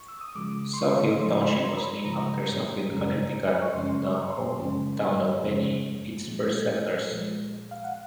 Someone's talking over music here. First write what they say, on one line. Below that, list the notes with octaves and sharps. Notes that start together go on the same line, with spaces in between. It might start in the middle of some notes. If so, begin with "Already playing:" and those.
Suffield Township was named after Suffield, Connecticut, the hometown of many its first settlers.
Already playing: C#6
E6
D#6
C#3 F3 G#3 D6
C6
C#6
C#3 F3 G#3 C6
B5
C6
A#5
B5
C#3 F3 G#3 A#5
F#2 C#3 F3 G#3 C#4
C#6
F#2 C#3 F3 G#3 C#4 C6
C#6
C6
F#2 C#3 F3 G#3 C#4
F#2 C#3 F3 G#3 C#4
A#2 F3 G#3
A#2 F3 G#3
F5
F#5